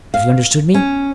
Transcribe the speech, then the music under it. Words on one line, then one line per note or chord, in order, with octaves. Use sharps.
"Have you understood me?"
F5
C#4